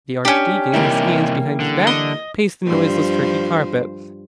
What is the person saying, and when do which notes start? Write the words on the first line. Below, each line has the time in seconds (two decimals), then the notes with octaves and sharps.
The Archdeacon, his hands behind his back, paced the noiseless Turkey carpet.
0.25 C#4 D4 G4
0.74 C3 E3 G3 A#3 D#4 E4
1.60 D3
1.87 D#5
2.67 G2 F3 C5